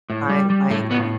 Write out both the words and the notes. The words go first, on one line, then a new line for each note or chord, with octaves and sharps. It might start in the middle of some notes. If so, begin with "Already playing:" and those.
my my we
A2
G3
G3
A2 A3
A2 B3